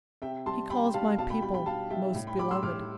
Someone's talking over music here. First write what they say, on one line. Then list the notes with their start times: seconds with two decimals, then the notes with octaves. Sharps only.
"He calls my people 'most beloved'."
0.22 C3 E5 G5
0.46 G3 A5 C6
0.70 C3 G5 B5
0.94 G3 F5 A5
1.18 B2 F5 A5
1.30 G5 B5
1.42 G3 G5 B5
1.54 G5 B5
1.66 B2 F5 A5
1.90 G3 E5 G5
2.14 A2
2.27 G5 B5
2.39 G3 B5 D6
2.51 C6 E6
2.62 A2 D6 F6